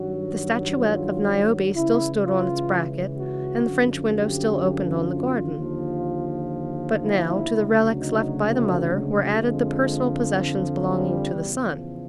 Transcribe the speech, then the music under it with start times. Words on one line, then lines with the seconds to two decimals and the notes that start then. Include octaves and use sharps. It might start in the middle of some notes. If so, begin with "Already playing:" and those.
The statuette of Niobe still stood on its bracket, and the French window still opened on the garden. But now, to the relics left by the mother, were added the personal possessions belonging to the son.
Already playing: G2 D#3 F#3 F#4
0.78 F4
1.73 C#2 C#3 E3 E4
2.21 F4
3.17 F#4
3.65 F#2 D3 F3
4.13 G4
5.08 F4
5.57 D#2 D3 F3
7.01 E4
7.49 D2 C#3 F#3
7.97 D#4
8.45 A3
8.92 G#3
9.41 F2 D3 F3
10.84 G3
11.33 E2 C#3 F3